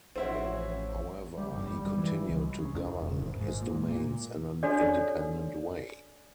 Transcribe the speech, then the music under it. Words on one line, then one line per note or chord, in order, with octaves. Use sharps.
However, he continued to govern his domains in an independent way.
A1 F3 C4 C#4 E4 F#4
G3
G1
G3
E3
C#2
C#3
E2
E1
G#1
G#2
A#2
A#2
D4 F#4 A4 C#5 D5